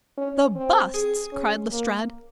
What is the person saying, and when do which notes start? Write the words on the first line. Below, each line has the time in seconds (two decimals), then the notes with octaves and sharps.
"The busts," cried Lestrade.
0.18 C#4
0.56 C4
0.94 G#4
1.33 C#4
1.71 A#3